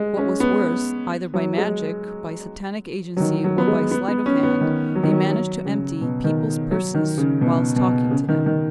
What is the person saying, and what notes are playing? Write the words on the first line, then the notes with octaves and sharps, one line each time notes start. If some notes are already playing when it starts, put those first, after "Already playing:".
What was worse, either by magic, by Satanic agency, or by sleight of hand, they managed to empty people's purses whilst talking to them....
Already playing: G#3
C#4
B3
F#3
G#3
F#3
D#3
F#3
B3
G#3
B3
B3
C#4
B3
D#3
F#3
D#3
F#3
F#3
C#3
B2
D#3
F#3
D#3
C#3
B2
B2
C#3
D#3
D#3